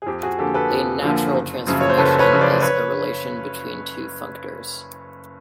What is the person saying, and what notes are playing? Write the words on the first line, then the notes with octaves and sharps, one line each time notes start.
A "natural transformation" is a relation between two functors.
G#4
F2 G4
F#4 G#4
D3 F3 A#3 G4 A4
A4 B4
F2
D3 F3 A#3
F#1
F#2 C#3 F3
C#5
C5
F#1 A4 B4
B4 C#5
F#2 C#3 F3
C5 D5
B4 C#5